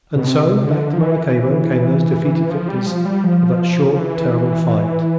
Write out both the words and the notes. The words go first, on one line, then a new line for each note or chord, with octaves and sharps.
And so, back to Maracaybo came those defeated victors of that short, terrible fight.
B2
C3
D3
F3
E3
F3
G3
F3
G3
F3
F3
E3